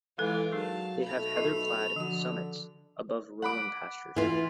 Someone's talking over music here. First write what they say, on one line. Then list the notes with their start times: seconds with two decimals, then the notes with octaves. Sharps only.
They have heather-clad summits above rolling pastures.
0.18 E3 G#3 F4 A4 B4 D5
0.52 F#3 D#4 G#4 A#4 F5 A5
1.04 B1 A3 B5 F7
1.36 D#4 F4 D#5
1.96 D3 F3 F#4
3.42 F#5 B5 D6
4.16 E3 F4